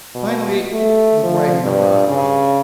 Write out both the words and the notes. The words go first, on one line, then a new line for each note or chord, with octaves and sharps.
Finally the wagon arrived.
B2
A3
F3
G2
C#3